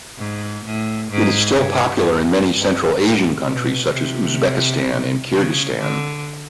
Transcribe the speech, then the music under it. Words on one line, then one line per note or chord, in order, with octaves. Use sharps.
It is still popular in many Central Asian countries such as Uzbekistan and Kyrgyzstan.
G#2
A2
G#2
G2
G2
A2
B2
C3
C#3
D3